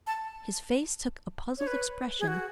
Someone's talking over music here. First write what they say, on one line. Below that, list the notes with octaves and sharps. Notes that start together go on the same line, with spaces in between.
His face took a puzzled expression.
A5
C#5
B4
G#4
F#4